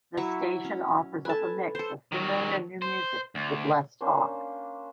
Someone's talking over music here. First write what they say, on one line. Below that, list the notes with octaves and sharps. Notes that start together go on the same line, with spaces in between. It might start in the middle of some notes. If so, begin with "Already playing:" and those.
The station offers up a mix of familiar new music with less talk.
F#3 E4 C#6
C#4
A4 B4 G#5 A5
A4 C5
D#3 F#3
C5
D2
A#3 C#4 D4 C5